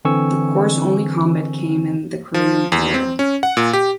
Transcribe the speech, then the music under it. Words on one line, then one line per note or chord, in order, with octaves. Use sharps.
The corps' only combat came in the Korean War.
D3 E3 C4 G#5 C#6 E6
F3
E2
C4
C#4
F#5
A#2
G4